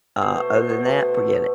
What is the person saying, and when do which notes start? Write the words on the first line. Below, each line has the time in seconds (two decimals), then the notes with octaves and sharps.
Uh, other than that, forget it.
0.22 B2 C5
0.37 A3 C5
0.53 B2 C5
0.69 B2 C5
0.85 A3
1.01 B2
1.17 A3
1.32 B2